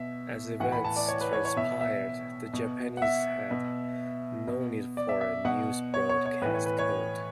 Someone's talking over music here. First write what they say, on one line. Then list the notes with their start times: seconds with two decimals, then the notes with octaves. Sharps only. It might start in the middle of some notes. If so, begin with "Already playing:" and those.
As events transpired, the Japanese had no need for a news broadcast code.
Already playing: B2 E5
0.60 A2 E3 F#5
0.72 B5
0.84 A5
0.96 D5
1.08 C#5
1.21 B4
1.33 C#5
1.45 C#5
1.57 B2 E5
1.81 E5
2.53 B2
2.97 F#5
3.02 E5
3.51 B2
4.48 B2
4.97 D5
5.09 E5
5.21 E5
5.45 B2 F#5
5.94 C#5
6.09 C#5
6.26 C#5
6.41 A2 E3 B4
6.54 C#5
6.66 B4
6.79 C#5